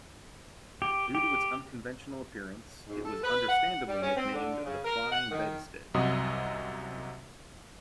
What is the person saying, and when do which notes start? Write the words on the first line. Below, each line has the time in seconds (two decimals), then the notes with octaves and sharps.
Due to its unconventional appearance, it was understandably nicknamed the Flying Bedstead.
0.82 G4
1.15 G4
2.88 G#2
3.05 A4
3.23 B4
3.48 F#5
3.88 G3
4.02 C#4
4.16 C4
4.33 D3
4.65 C#3
4.85 A#4
5.11 F#5
5.31 D#3
5.94 C2 F#2 C3 F#4 D#5 D#6